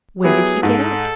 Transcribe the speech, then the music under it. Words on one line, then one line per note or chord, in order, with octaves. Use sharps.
Where did he get out?
F#3 B3 E4 G4 G#4
G#2 A4